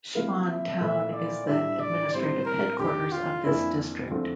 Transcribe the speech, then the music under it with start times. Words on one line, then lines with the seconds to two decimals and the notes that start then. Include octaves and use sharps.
Siwan town is the administrative headquarters of this district.
0.15 C3 F3 A#3 E4 F5
0.47 E5
0.80 A#2 F3 A3 E4 E5
1.13 D5
1.47 A2 G3 D4 E5
1.80 D5
2.13 A2 G3 C4 E4 C5
2.45 A#4
2.78 E2 D3 A3 G4
3.12 F4
3.44 F2 E3 A#3 D4 E4
4.10 E2 D3 F3 A3 C4